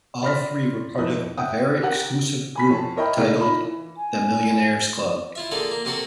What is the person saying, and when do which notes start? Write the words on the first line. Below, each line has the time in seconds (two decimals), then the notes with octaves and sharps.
All three were part of a very exclusive group titled "the Millionaires' Club".
0.23 D5 B5 C6 F6 A#6 B6
0.98 F2 D#4 E4 D#6
1.38 E5 F#5 G5 D#6
1.83 G4 A#4 F#5
2.55 G#5 B5 B6
2.69 F2 C#5 A5
2.97 A#4 C#5 D#5 E5 G5 B5
3.17 C#3 A3 A#3 D#4 E4
3.37 D#4 F4 B5
3.61 E3
3.97 G#5
5.35 E4 F4 E5
5.51 D3 A#3 F4 G#4 A4
5.71 A#3
5.85 C3 A#3 C4 F#4 A4